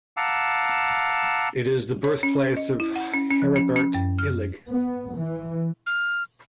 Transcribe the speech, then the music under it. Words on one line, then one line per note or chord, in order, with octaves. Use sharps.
It is the birthplace of Heribert Illig.
F5 F#5 A5 A#5 D6 E6
C#5
C#4
D#5
E4
F#5
C#4
C#4
F3
C#4
C#4
F#2
F6
B3
E3
F6